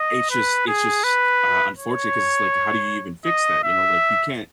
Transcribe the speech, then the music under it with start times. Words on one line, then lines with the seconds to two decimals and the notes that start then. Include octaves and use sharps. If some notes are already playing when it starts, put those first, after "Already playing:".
it's just it's just, uh, unfortunate 'cause it's like, how do you even fix that? You know? Like, you can't
Already playing: D#5
0.30 B4
0.67 G#4
1.03 B4
1.77 C#5
3.26 D#5
3.63 E5